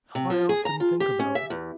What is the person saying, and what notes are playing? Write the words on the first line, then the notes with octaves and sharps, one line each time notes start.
I often think about it.
C3
F3
G#4
A#5
F4
G4
C#4
E5
E2